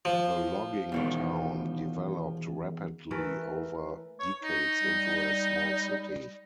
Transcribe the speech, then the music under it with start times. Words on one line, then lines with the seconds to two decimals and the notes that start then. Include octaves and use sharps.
The logging town developed rapidly over decades into a small city.
0.05 F3
0.92 E2 B2 D#3
3.11 E3 A3 A#4
4.19 C#5
4.44 D#4
4.83 G3